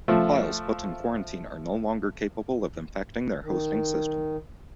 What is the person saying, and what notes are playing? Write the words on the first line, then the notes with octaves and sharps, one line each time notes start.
Files put in quarantine are no longer capable of infecting their hosting system.
F3 A3
D#3